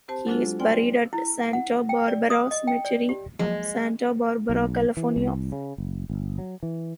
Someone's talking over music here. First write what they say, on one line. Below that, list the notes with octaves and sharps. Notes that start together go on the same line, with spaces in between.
He is buried at Santa Barbara Cemetery, Santa Barbara, California.
C4 G4 C5 A5
F#3 G#3 D4 F4 F#4 A4
C5 D5 G5 G#5 C6 F6
E4
F#5
G5
D5
D#6
D#5
G5
D5
G4
F3 F#3 G#3 A#3
B1
E3
C2
C#3
F#1
G1
F#3
E3